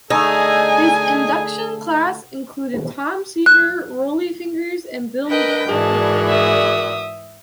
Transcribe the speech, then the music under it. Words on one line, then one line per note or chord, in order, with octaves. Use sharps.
His induction class included Tom Seaver, Rollie Fingers and Bill McGowan.
D3 A3 D#4 G#4 A4 G#5
F#6
D4 A#4 B4 D#5 G5
G#2 E3 F#4 G#4 A#4 D5 A5
E5 D#6